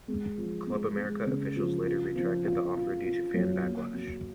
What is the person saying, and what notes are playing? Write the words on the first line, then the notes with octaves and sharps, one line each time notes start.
Club America officials later retracted the offer due to fan backlash.
G#3
F3
G#3
G#3
C#3
F3
F4
F3
F4
F4
F4
F#2
A#3
F#3